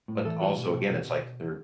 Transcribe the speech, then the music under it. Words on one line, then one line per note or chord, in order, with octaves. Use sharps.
but also, again, it's like there,
A2
E3 A4
A2 F#4
B2
B2
B2
B2